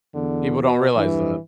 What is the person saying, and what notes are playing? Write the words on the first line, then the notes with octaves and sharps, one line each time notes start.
People don't realize that.
E2 D3
B2
G2 E3